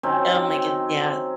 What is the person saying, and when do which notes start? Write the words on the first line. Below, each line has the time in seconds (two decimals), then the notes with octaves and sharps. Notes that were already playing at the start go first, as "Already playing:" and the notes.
Oh my goodne yeah.
0.03 D#3 F#3 C4 C#4